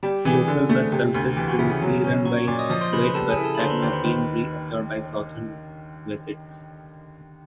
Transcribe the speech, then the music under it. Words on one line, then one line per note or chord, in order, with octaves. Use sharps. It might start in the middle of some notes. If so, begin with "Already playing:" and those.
Local bus services previously run by Wightbus have now been re-absorbed by Southern Vectis.
G3 G4 G5
E3 G#4 G#5
D3
A3
C3
D2
E3 G4 G5
F#4 F#5
C#3 E4 E5
G#4 G#5
F#3
C#4
F#3 C#5 C#6
C#5 C#6
A#2 D5 D6
D#5 D#6
F3 D#5 D#6
C5 C6
C#3 B4 B5
B4 B5
G3 A4 A5
G#4 G#5
E4
A4 A5
B5
D3 C5 C6
A#5
B4 B5
D#2 C5 C6
B4 B5
D#3 B4 B5